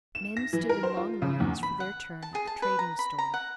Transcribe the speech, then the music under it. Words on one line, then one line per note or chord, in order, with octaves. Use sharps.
Men stood in long lines for their turn at the trading-store.
E7
A#6
E3
A#4
C5
F4
C#3
E2
B5
F#5
A5
G#4
A5
B4
A#5
B5
A#5
F#5